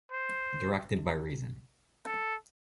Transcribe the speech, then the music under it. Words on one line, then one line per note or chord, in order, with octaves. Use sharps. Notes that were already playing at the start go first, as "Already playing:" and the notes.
Directed by reason.
C5
A4